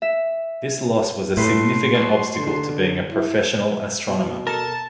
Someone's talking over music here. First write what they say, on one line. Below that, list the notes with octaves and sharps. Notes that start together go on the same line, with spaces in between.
This loss was a significant obstacle to being a professional astronomer.
E5
A2 A3 B4 C6
B2
D3
E4
B2
A4 A#4 A5